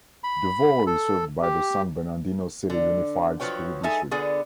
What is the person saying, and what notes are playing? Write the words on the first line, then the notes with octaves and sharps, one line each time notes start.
Devore is served by the San Bernardino City Unified School District.
B5
A4
G4
D3
F3 F#3 B4 C#5 G5
G#3 D#4 A4 E5 G#5
D3 B3 F4 G#4